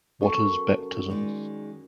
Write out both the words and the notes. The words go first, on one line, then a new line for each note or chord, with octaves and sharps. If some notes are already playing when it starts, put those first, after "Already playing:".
What is baptism?
F#2 B3 A4
D#3 G#3 D5